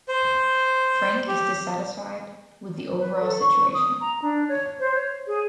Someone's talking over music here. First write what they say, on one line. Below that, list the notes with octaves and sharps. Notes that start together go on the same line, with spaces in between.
Frank is dissatisfied with the overall situation.
C5
G4
B4
A4
C#6
D#6
A#5
D4
C#5
C5
C#5
G#4